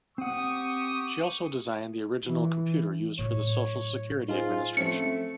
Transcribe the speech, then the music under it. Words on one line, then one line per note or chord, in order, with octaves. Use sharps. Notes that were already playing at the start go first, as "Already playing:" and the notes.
She also designed the original computer used for the Social Security Administration.
C4 G4 F#5 C#6 D#6
E3
A2 F#3 C#5
D#4 F4 G#4 C5
F3 A3 C4 C#4 C#7